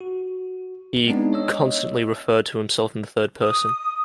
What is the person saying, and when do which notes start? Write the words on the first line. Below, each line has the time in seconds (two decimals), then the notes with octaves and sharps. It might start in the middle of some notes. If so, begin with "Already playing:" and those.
He constantly referred to himself in the third person.
0.01 F#4
1.07 G#3 B3 C4 D4 D#4
1.33 C#5 D#5 E6
3.42 D#6